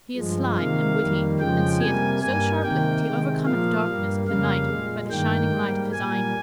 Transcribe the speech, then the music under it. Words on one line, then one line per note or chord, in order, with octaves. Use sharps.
He is slye and wittie, and seeth so sharpely that he overcommeth darkness of the nighte by the shyninge lyghte of his eyne.
G2 F3 G#3
C3 D#3 A#3 F5
F2 D#3 G3 A#3
F2 C#3 F3 G#3 G5
C3 G3 A#3 G#5
G2 G3 A#3 G#5
C3 D#3 A#3 G5
C3 D#3 G#3
A#2 F3 A#3 F5
G2 G3 A#3
F2 C#3 G3 A#3 F5
A#2 G#3
G2 D#3 A#3 G5
G#2 G3 A#3
A#2 G3 A#3 G#5